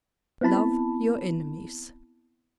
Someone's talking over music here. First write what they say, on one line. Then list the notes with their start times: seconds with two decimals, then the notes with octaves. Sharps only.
Love Your Enemies.
0.41 B3 C4 E4 A5 B5